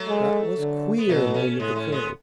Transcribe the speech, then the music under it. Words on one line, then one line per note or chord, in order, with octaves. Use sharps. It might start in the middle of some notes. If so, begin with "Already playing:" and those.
"That was queer," murmured the colonel.
Already playing: F#3 A3
G#3
D3
B3
B2 F#3 A3
A3 C#4
A2 G#3 B3
A3 C#4
G#3 B3